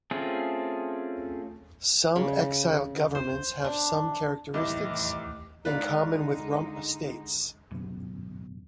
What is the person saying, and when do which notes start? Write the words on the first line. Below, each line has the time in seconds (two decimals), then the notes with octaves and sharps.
Some exiled governments have some characteristics in common with rump states.
0.11 A3 C4 C#4 F4 G#4
2.16 C#3
3.15 C5
3.64 D4
4.54 C2 A2 D#3 E3 D#5 D6
5.65 D3 G#3 D#4 B4 D5 F5
7.71 D1 G1 F#2 B2